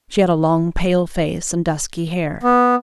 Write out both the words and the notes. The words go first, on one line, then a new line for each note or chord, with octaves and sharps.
She had a long, pale face and dusky hair.
B3